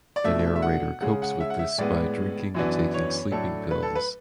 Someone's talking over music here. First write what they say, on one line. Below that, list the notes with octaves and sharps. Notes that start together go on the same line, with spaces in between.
The narrator copes with this by drinking and taking sleeping pills.
D5
B2 A3 D4 E5
E5
F#5
C#3 G#3 C#4 F#5
F#5
E5
F#5
E5
A2 G#3 B3 D5
F#2 E3 B3 D4
C#5
A2 F#3 A3 D4 A4
B4
A4
B4